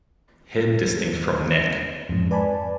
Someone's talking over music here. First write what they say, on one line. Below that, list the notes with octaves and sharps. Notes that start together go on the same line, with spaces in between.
Head distinct from neck.
F2 G#2
B4 D5 G#5 A5 B5